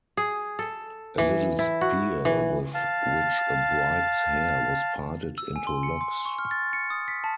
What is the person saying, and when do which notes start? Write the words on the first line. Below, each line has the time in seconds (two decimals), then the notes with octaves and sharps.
A little spear with which a bride's hair was parted into locks.
0.17 G#4
0.59 A4
1.18 E3
1.59 E4
1.81 F#4
2.25 E3
2.74 F5 A5
5.38 E6
5.56 G#5
5.67 C6
5.83 C#7
6.01 C6
6.25 C#6
6.39 F6
6.51 A6
6.73 C#7
6.90 D#6
7.08 B6
7.24 A5